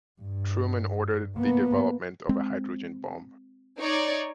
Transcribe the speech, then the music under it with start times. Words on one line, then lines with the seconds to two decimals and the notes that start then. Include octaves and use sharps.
Truman ordered the development of a hydrogen bomb.
0.21 G2
1.36 A#3 B3
2.29 G#3 C4
3.79 D#4 C#5 D5